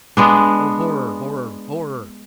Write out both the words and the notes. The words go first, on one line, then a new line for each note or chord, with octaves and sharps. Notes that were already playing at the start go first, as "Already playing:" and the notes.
Oh, horror, horror, horror!
G#3 B3 D4